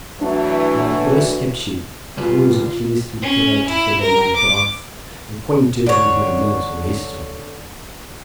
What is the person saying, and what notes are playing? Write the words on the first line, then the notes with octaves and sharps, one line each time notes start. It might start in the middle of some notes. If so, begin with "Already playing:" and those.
I have thus kept you, those at least who cared to follow my path, acquainted with my mental history.
E3 F#3 A3 D4
C#3 G3 F4 B4
C#4
E4
A#4
D6
D3 C#5